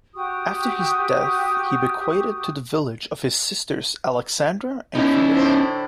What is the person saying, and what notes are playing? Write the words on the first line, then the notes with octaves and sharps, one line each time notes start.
After his death he bequeathed to the village of his sisters Alexandra and Creata.
F#4 G4 C#6 D#6
A#3 C#4 D#4 E4
A2 D3 C5